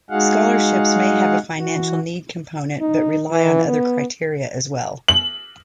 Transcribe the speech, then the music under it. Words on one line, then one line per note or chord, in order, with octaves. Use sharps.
Scholarships may have a financial need component but rely on other criteria as well.
G#3 D#4 F#4 G#4 F5 F#5
E3 F#4
D#4
E3
B3
F#7